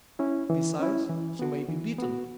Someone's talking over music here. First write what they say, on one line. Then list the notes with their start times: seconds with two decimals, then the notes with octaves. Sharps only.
Besides, he may be bitten.
0.19 C#4 E4
0.50 E3
0.79 C#4 E4
1.10 E3
1.39 B3 F#4
1.69 E3
1.98 B3 F#4